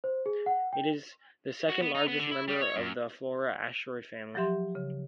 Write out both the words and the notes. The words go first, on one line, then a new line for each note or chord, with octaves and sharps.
It is the second-largest member of the Flora asteroid family.
C5
G#4
F#5
G5
F#4
B3
D#4
B3
D3
E4
G3
C#5
F#2
F3 F#3 G4 E5 C6
C#3